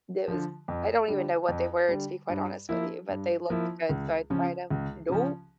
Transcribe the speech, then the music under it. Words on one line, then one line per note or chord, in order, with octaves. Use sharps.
there was I don't even know what they were, to be quite honest with you, but they looked good, so, I tried them nope,
D3 F3
F2
D3 G3
F2
D3 G3
G2
F3 A#3 E4
G2
F3 A#3 E4
C#2
C#3 F3 C#4
C#2
C#3 F3 C#4